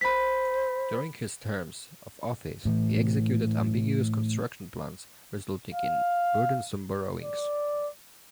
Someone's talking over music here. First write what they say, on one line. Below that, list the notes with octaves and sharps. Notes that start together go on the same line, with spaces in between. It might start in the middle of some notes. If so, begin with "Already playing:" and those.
During his terms of office he executed ambitious construction plans resulting in burdensome borrowings.
C5 B5 B6
A2 E3
F5
D5